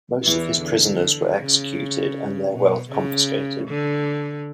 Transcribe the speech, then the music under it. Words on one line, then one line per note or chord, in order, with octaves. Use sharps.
Most of his prisoners were executed and their wealth confiscated.
E2 E3
D3
C#3
B2
C#3
D3